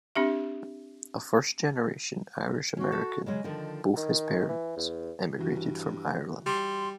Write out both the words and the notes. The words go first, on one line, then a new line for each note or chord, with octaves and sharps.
A first-generation Irish-American, both his parents emigrated from Ireland.
C4 D4 G4 E5
C4 C#4 F#4
A4
C#3 F#3 G#3 D#5
D3 D#3 F3
D#3
E3
E2
G2 E3 F#4
G3 C6